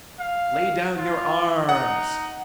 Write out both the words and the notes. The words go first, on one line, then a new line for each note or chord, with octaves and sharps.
"Lay down your arms!"
F5
F4
D#4 F#5